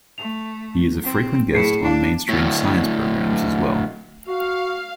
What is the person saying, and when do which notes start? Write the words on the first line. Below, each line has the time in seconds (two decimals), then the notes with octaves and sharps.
He is a frequent guest on mainstream science programs as well.
0.18 A3 F7
1.03 C4
1.53 A2 E4 G#4 C7 C#7
1.82 D4 E4 F5
2.29 D2 A2
4.27 F#4 F5